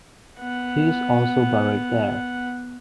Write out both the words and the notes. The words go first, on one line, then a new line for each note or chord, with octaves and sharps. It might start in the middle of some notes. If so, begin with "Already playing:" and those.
He is also buried there.
B3 F#5